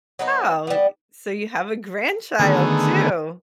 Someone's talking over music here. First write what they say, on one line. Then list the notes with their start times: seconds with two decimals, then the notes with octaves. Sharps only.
wow, y so you have a grandchild too!
0.19 F#3 B3 D#4
0.67 G3 B3
2.39 D3 D#3 A3 B3 G#4